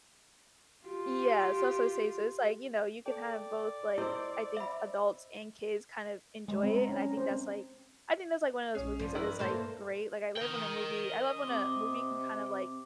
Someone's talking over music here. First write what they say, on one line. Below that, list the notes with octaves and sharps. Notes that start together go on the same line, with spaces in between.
Yeah, so so say so it's like, you know, you can have both like, I think adults and kids kind of enjoy it, and I think that's like I think that's like one of those movies that is like great, like, I live when a movie I love when a movie can kind of like
F4 G4
A4 D5 G5
E4 G#4 C5 D#5 E6
E5 B5
G#3
C4
A#5
C#4
A#5
C5
C4
A#1 C#4 D#6 C7
G2 F3 D5
E4 A#4 B4
A#3 A4 C5
A#4 D#5 G5
C3 C4 D6